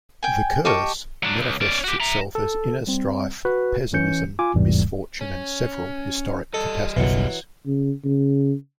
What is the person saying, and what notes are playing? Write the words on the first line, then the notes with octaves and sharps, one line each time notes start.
The "curse" manifests itself as inner strife, pessimism, misfortune and several historic catastrophes.
G5 G#5
G4 D#5 A5 C#6
F#3 D4
C#2 G2
C#4 D5
F#4 G4
E5 A#5
A4
G3 C4
F#4 B4
E3 C#4 G6 C#7
F4 G#5 D6
A1 E2 G#2 C3 E3 G3
C#4
G3 A4 D#5
F#1 B1 E3 F#3
C#3
C#3